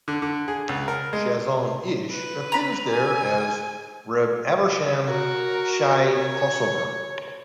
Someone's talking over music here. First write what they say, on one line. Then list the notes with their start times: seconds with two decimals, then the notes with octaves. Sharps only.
Chazon Ish appears there as Reb Avraham-Shaye Kosover.
0.08 D3
0.22 D3
0.48 G#4
0.69 C#2
0.88 A#4
1.13 G#3
2.11 B4
2.52 A#5 B5
2.90 G#5
5.06 F#4 A#4
6.13 C#5